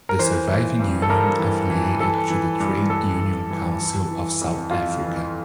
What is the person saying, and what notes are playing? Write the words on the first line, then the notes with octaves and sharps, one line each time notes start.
The surviving union affiliated to the Trade Union Council of South Africa.
A#4
E3 C5
E3
G2
A4
G2 A#4
E3
E3
E3 A4
E3
G2
G2 A4
E3
E3
E3
E3
F2
F2 F4
E3